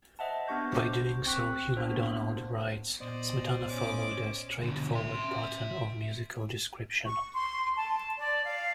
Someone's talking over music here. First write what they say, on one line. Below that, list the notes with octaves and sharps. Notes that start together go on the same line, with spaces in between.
By doing so, Hugh Macdonald writes, Smetana followed "a straightforward pattern of musical description".
C5 D#5 E5 F#5 A5
B3 D4 G4 C#6 G6 A#6
C5 D6 G6
C4 G5 C#6 F#6 B6
A#3 B3 D4 C5
A#2 B3 C5 D5 D#5
C#4 D6
B2 D3
E5 C6
C#6
C6
A5
D5
F5